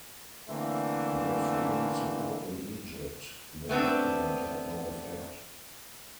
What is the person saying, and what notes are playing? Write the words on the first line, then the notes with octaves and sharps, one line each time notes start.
With little support in Egypt, the document had no effect.
D3 E3 A3 A#3 C4
A3 B3 C4 D4